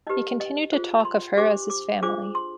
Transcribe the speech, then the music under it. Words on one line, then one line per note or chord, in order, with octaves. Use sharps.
He continued to talk of her as his family.
D#4 G4 B4 D#5
D#5
F4 G#4 C5
B5
C6
D4 G4 C5 D6
D6
D4 F4 G#4 C5 D6
C6